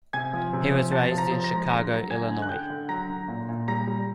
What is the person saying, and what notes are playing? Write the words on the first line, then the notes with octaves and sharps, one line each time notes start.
He was raised in Chicago, Illinois.
C3 G#5 G#6
F3
C3
F3
C3 A5 A6
F3
A#5 A#6
F3
A#5 A#6
G#3
D3 A#5 A#6
F#3
D3 G#5 G#6
D3
F#6
D3 G5 G6
D3
F#3 A#5 A#6
D3
A#2
A#2
G3 A#5 A#6
G3